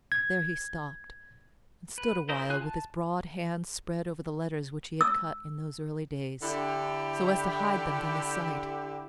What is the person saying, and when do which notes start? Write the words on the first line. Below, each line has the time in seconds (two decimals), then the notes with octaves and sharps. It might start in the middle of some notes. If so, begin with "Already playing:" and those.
There he stopped and stood a while with his broad hand spread over the letters which he had cut in those early days, so as to hide them from his sight.
0.12 G#6
1.98 B4
2.29 E4 A#4 C5 D#5
2.50 F4 G#5 F#6
2.62 A5
5.01 E6
6.43 D3 E4 G4